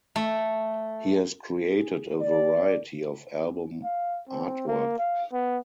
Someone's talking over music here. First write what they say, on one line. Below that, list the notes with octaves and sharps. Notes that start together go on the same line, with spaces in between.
He has created a variety of album artwork.
A3
G#4
D5
F5
C4
A#3
F5
B3